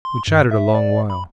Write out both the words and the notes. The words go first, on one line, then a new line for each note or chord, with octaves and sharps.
We chattered a long while.
C6
G2
E5
D5
B5